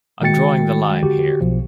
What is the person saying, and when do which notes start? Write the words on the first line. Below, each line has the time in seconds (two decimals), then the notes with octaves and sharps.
I'm drawing the line here.
0.22 D#3 G#3 F#4 G5 A6 C#7
1.02 D3 F#4 G4
1.41 B1 B2 F3